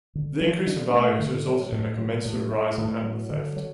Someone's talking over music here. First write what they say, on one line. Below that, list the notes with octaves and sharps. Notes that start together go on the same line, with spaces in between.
The increase in value has resulted in a commensurate rise in antler theft.
D3
F#3
D4
A3
D3
F#3
A2
F#3
A2
A3
A2
F#3
D3
F#3